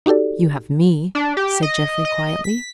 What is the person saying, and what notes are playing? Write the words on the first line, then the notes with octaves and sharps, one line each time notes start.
"You have me," said Jeffrey quietly.
D#4 F#4 G4 A4 D5
D4
G4
D#5
D#5
B6